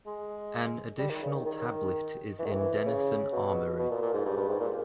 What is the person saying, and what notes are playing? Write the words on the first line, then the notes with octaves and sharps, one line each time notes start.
An additional tablet is in Denison Armoury.
G#3
G3
D#3
C#3
D#3
D#3
E3
D#3
E3
C#3
B2
B2
A#2
A#2
G#2
G2
G2
G#2
A#2